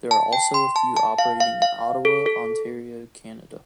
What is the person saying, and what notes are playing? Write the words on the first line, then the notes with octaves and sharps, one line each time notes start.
There are also a few operating in Ottawa, Ontario, Canada.
A5
G5
C6
A5
A5
F5
F5
F5
A4
A4